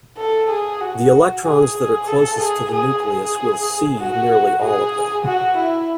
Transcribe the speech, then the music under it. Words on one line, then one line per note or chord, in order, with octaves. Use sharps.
The electrons that are closest to the nucleus will 'see' nearly all of them.
A4
G#4
F#4
G#4
G#4
A4
G#4
G#4
G#4
F#4
G#4
F#4
E4